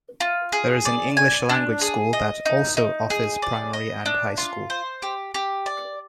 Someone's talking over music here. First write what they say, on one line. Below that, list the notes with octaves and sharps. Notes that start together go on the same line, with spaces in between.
There is an English language school that also offers primary and high school.
F4
G#4
D5
G#5
D4
G#4
D#5
D#4
D#4
G#4
D5
D#5
D4
F4
C5
G4
G4
D5